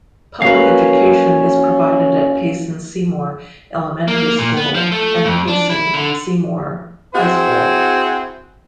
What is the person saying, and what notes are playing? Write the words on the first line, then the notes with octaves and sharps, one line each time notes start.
Public education is provided at Payson-Seymour Elementary School and Payson-Seymour High School.
A#3 C#4 F#4 B4 F5
A#3
A#2
B3
F3
A3
F2
D4
E4
D3
C4 E4 F#4 G#4 C5